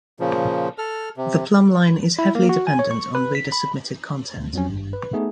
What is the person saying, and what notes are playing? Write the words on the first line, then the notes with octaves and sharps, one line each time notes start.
The Plumbline is heavily dependent on reader-submitted content.
A#2 C#3 F3
A4 F6
C3
E4
A#3
F#4
G#5
C#5
C#6
B4
B6
B5
D2
F2 F#3 C#4
G#1 G2
B4
A3 B3 D#4 G#4